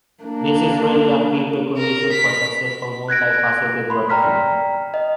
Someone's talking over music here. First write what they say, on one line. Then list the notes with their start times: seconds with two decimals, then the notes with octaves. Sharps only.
This is really a key precondition for successful multifaceted work.
0.23 A#3 D4
1.77 A#4
2.12 B6
3.08 F#6 G#6 A#6 D7
3.90 B5 C6
4.09 D5 G5 A#5 F6 B6
4.94 D#5